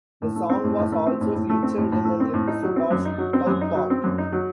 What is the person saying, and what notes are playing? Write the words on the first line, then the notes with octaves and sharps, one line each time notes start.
The song was also featured in an episode of "South Park".
A2
A3
C4
A2
A2
A3
C4
A2
A2
A3
C4
A2
A2
A3
C4
A2
D#4
F#3
C4
F#2
D#4
F#3
C4
F#2
D#4
F#3
C4
F#2
D#4
F#3